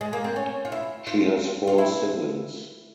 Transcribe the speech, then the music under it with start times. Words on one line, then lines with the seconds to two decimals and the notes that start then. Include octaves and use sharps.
She has four siblings.
0.01 G#3
0.13 A#3
0.24 C4
0.36 C#4
0.65 F4
0.72 E4
1.07 F4
1.67 F4
1.78 E4